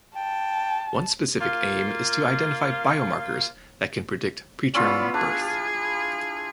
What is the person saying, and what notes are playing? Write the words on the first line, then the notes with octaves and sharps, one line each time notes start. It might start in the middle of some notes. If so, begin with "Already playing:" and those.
One specific aim is to identify biomarkers that can predict preterm birth.
G5 A5
A#3 F4
B3 C#4 E4 F4 D5
D4 G#4